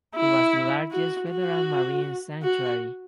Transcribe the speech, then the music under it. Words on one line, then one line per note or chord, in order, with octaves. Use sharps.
It was the largest federal marine sanctuary.
E4
F#4
F#4
F#4